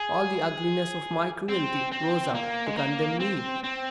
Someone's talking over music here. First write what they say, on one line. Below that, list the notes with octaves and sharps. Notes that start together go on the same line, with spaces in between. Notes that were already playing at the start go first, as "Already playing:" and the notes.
All the ugliness of my cruelty rose up to condemn me.
Already playing: G#4
C4
C4
A#3
G#3
A#3
C4
C4